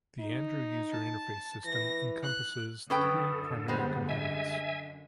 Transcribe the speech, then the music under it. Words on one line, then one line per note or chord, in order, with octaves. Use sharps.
The Andrew User Interface System encompasses three primary components.
D#4
A5
E3 A#6
F#6
F#2 D3 C#4 A4 B4 G5 D#6
G3 G#3 B3 C5
D#5 E5 G#5